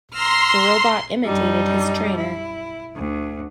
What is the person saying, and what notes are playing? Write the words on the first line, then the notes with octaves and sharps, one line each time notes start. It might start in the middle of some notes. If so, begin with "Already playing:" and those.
The robot imitated his trainer.
A#5 C6 E6 F6
F#2 G3 D4 D#4
E4
D2